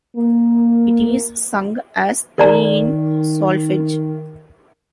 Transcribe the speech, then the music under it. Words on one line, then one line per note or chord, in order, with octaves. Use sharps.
It is sung as re in solfege.
A#3
D#3 A#4 D5 A#5